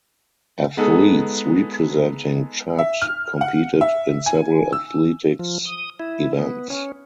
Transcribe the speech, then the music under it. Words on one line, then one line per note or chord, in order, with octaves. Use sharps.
Athletes representing Chad competed in several athletics events.
G#3 B3 D#4 G#4 A4
E5
F6
F#5
E5
G#5
E6
F3
D#6
E4
B3
C#4